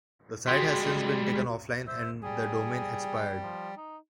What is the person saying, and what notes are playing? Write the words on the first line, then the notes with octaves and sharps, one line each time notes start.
The site has since been taken offline and the domain expired.
G3 G#3 F#4 C6
C5 E5
G3 G#4
F3
D#4